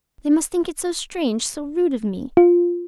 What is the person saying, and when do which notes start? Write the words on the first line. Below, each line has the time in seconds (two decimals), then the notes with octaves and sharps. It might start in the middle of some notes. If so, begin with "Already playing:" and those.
They must think it so strange, so rude of me!
2.37 F4